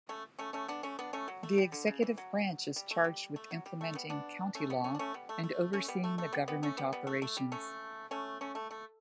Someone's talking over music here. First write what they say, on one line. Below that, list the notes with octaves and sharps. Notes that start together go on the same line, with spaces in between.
The executive branch is charged with implementing County law and overseeing the government operations.
A3 C#4
A3 C#4
A3 C#4
B3 D4
A3 C#4
B3 D4
A3 C#4
F#3
A3
G3
D3
C#3
E3
F#3
G3
A3
G3
A3
F#3
G3
A3
G3 B3
B3 D4
A3 C#4
G3 B3
A3 C#4
D4
A3 C#4
G3 B3
A3
A3
A3 C#4
G3 B3
A3
A3
G3 B3
G3 B3
A3 C#4
G3 B3
G3 B3
A3
A3
G3
A3 C#4
A3 C#4
A3 C#4
A3
A3